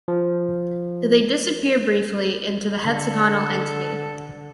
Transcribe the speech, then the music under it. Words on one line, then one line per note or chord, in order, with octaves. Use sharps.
They disappear briefly into the hexagonal entity.
F3
D3 A4